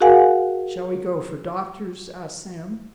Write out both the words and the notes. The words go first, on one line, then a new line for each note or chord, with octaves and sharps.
"Shall we go for doctors?" asked Sam.
F#4 G#4 A#4 F5 F#5 G#5